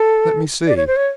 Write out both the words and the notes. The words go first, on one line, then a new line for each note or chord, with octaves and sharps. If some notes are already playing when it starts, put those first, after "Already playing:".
"Let me see?"
Already playing: A4
D5
C#5
C5
C#5